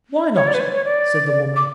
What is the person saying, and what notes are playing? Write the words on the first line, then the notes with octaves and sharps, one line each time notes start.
"Why not?" said the woman.
C#5
D5
B4
C#5
C#5
D5
D6